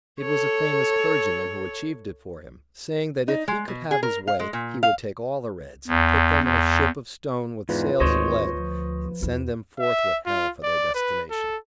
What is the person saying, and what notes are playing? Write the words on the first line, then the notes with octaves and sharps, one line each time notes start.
It was a famous clergyman who achieved it for him--saying that if he could have his way he would take all the Reds, and put them in a ship of stone with sails of lead, and send them forth with hell for their destination.
A4 C#5
D#4
G#3
B2
G#4
A#4
F5
G#3
A#2
F5
E2
E2
E2 G#2 F4 B4
G#1 D2 C5 C#5 D#5
F3
E2 E4
E5
F4
D5
B4
A4